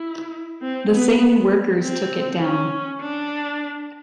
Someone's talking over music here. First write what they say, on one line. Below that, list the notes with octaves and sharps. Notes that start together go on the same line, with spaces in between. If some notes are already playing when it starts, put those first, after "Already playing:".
The same workers took it down.
Already playing: E4
C4
B3
C4
C#4
D4